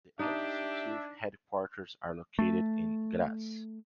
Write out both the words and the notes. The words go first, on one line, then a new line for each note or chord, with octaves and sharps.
The administrative headquarters are located in Graz.
D4 D#4 G4 E5
A3